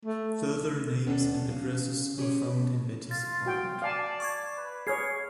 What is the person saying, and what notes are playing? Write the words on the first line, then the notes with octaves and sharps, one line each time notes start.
Further names and addresses were found in Betty's apartment.
A3
D#2 B3 C#4 D4 A4
C#3
C#4 G4 G#4 C5 C#5
F4 A6
F#4 G5
D5 F5 G#5 A5
C#6 D6 G#6
B4
G#4 C#5 F6 G#6 C7